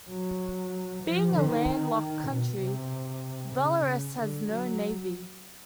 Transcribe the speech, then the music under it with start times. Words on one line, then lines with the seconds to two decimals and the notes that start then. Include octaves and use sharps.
Being a landlocked country, Belarus has no navy.
0.09 F#3
1.03 F3
1.34 D#3
2.28 B2
2.60 C3
3.54 C#3
3.85 C#3
4.17 D3
4.48 F#3